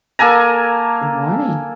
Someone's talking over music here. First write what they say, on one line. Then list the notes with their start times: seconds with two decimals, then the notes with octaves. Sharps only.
Good morning.
0.19 A#3 A4 G#5 A#5